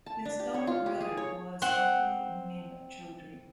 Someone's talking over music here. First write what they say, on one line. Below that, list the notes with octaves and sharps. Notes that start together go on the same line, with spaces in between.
His elder brother was Abdul Munim Chaudhury.
A5
D4
G4
C#5
F4
G4
G#4
C#5
C4 F#5